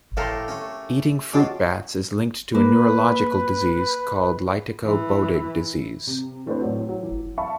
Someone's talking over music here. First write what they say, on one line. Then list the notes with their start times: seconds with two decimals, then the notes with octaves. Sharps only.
Eating fruit bats is linked to a neurological disease called lytico-bodig disease.
0.17 A2 A3 G4 A4 A#4 F5 A#5 C6
0.48 A3 C#4
1.33 G#3 C#4 F4 F#4 A5 D6
2.55 A#3 B4
4.84 E3
6.07 C3
6.46 E3 A3 C4 D4 B4 C5
6.61 A2 F#3
6.89 F#3
7.03 E3
7.38 E5 F5 A5 B5 C#6